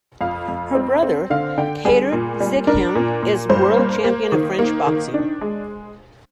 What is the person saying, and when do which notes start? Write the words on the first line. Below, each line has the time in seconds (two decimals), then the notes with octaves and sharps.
Her brother, Kader Zighem is world champion of French boxing.
0.21 F2 F5
0.48 F2
0.75 C4
1.03 C4
1.30 D3 F5
1.58 D3 G5
1.85 G3 G#4
2.12 A#2
2.40 G3
2.67 D4 A#4
2.95 A#2
3.23 A#2
3.49 G2 C5
3.77 A#3
4.04 A#3
4.32 D#3
4.59 A#3
4.87 D#3
5.14 D4
5.41 G#3